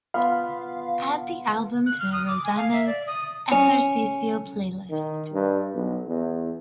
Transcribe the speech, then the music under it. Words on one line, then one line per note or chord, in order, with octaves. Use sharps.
Add the album to rosanna's ejercicio playlist.
B3 F4 F5
F#6
F6
D#6
D6
G#5
F5
E5
D5
D#6
C#4
D#3
G2
B1
E2